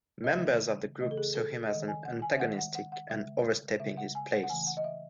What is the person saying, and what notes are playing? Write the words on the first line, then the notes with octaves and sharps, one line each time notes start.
Members of the group saw him as antagonistic and overstepping his place.
D#5
C#3 E3 A3 E5
C#3 E3 A3 D#5
A4
G#4
A4
D#3 G#3 D#5
G#5
F#5
G#5
E5
D#3 G#3 F#5
F#5
F#5
F#5
C#3 G#3 E5
C#3 G#3 E5
F#5
G#5
F#5
F#5
C#3 E3 A3 G#5
F#5
D#5
E5